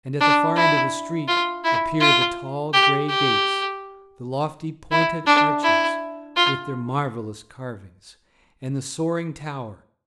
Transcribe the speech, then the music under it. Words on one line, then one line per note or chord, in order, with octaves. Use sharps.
And at the far end of a street appear the tall grey gates, the lofty pointed arches with their marvellous carvings and the soaring towers.
D4
E4
F4
E4
F4
G4
G4
E4
D4
E4
F4